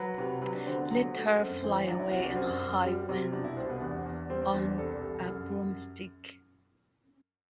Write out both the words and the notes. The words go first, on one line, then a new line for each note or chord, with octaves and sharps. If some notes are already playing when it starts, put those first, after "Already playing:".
Let her fly away in a high wind on a broomstick!
Already playing: F#3 B4
C3
F#3 B4
D4
D3 C4
B3
F#3 B3
A3
F#2 C4
E3 C4
F#3 D4
E4
C2 F#4
D4
F#2 C4
F#2
G3
C3
B2 D4
E4
C2 C4
B3
E2 D4
E2
G3 C4
C4
E2 D4
D4
C2 A4
C2
F#2